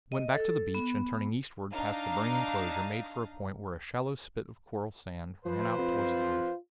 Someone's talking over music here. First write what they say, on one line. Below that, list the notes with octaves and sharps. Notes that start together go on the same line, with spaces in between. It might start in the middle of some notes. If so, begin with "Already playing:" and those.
I went back to the beach, and turning eastward past the burning enclosure, made for a point where a shallow spit of coral sand ran out towards the reef.
D#5
A4
B3
D4 D#4 F5 A#5
F3 B4 C5
F2 F4